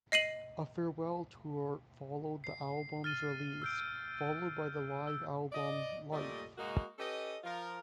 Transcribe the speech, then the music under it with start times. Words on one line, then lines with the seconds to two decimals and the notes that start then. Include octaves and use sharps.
A farewell tour followed the album's release, followed by the live album "Life".
0.12 D#5 C7 D#7 F#7
2.44 C7
3.04 F6 A6 D#7 G7
3.62 E6 G6 D7
5.07 E6
5.52 D5 D#5
6.11 A#2 G3 A3 D5 D#5
6.57 G#3 A#3 D#4 F#4
6.98 C#4 G4 A4 B4 D#5
7.43 F3 F4 A#4